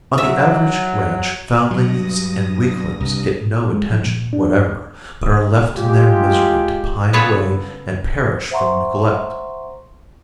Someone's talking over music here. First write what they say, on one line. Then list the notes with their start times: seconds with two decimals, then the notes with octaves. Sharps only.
On the average ranch foundlings and weaklings get no attention whatever, but are left in their misery to pine away and perish from neglect.
0.18 F#3 E5
1.71 G2 F#3 D#6 A#6
3.01 C2
3.44 A#2
3.73 G#3
3.92 F3
4.05 A#2
4.33 D4
5.75 G#3 F4 G4
7.13 C#3 B3 F4 A4 B4 C#5
8.51 C5 E5 F#5 A#5 C6 C#6